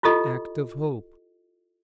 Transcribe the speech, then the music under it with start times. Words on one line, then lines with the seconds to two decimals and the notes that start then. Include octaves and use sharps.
Act of Hope.
0.03 E4 F4 G4 A4 D#5